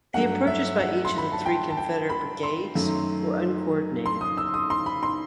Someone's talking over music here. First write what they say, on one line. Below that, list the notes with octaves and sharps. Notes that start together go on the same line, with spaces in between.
The approaches by each of the three Confederate brigades were uncoordinated.
G2 F#3 A3 F#5
E5
F#5
C6
B5
A5
G5
A5
G5
B5
C6
F#2 D#3 F#3 A3
C6
D#6
E6
D#6
C6
B5
C6